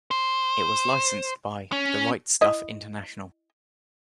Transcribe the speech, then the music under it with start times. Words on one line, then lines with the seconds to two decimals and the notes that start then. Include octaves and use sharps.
It was licensed by The Right Stuf International.
0.11 C5
1.72 C#4
2.41 E4 D#5